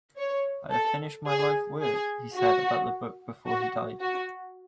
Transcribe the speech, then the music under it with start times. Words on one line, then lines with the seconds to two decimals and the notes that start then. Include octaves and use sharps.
"I have finished my life work", he said about the book before he died.
0.16 C#5
0.71 A4
1.26 G#4
1.81 G#4
2.36 F#4
3.46 F#4
4.00 F#4